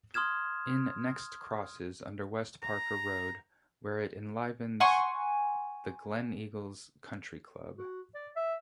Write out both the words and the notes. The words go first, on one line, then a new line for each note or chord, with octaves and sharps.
It next crosses under West Parker Road where it enlivens the Gleneagles Country Club.
C6 D#6 F6 G#6 E7
A#5
F#5 G#5 C6 C#6
F#4
D5
E5